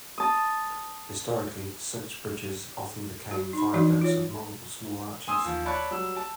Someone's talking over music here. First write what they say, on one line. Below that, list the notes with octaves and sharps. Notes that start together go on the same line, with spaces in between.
Historically, such bridges often became viaducts of multiple small arches.
A5 D#6
F#4
D#4 B5
E3 F3 D4 D#4 F#4 D#5
F4 C#5
G#5 C6 D#6 E6
D#2 F3
C#5 D5 A5 B5 C#6 F#6
F#3 G3 E6
A5